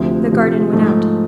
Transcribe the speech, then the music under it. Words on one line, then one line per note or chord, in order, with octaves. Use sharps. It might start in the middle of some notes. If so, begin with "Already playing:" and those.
The garden went out.
Already playing: D2 C3 F3
D2 C3 F3
G#2 F3 A3